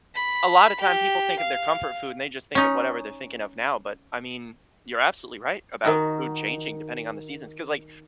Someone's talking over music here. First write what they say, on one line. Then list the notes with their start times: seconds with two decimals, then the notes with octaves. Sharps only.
a lotta time people think of their comfort food and they just think of whatever they're thinking of now. But, I mean, you're absolutely right about food changing depending on the seasons. 'Cause, like,
0.15 B5
0.80 G4
1.39 F5
2.55 C#4 D#4
5.84 D#3 D#4 F#4